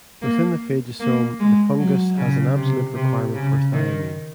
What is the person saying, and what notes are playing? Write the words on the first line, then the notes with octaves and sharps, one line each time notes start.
Within the phagosome the fungus has an absolute requirement for thiamine.
A#3
A#3
G#3
F#3
C#3
C3
C3
C#3
D#3